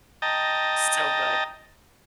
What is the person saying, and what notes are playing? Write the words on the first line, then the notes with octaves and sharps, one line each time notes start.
So good.
D#5 G5 A5 A#5